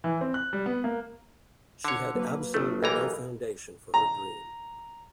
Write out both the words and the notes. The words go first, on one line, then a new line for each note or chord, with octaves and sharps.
She had absolutely no foundation for her dream.
E3
C4
F#6
G3
B3
A#3
D3 C#5
F#3 A#3 B4
G1 A3
B1 E3 G4 A#4 D#5 A#5
A#5